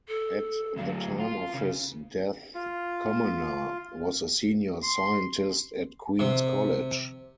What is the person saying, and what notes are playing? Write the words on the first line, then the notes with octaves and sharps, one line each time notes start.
At the time of his death, Commoner was a senior scientist at Queens College.
A4
D2 F#3 F5
F4
C#3
F4
C6
C3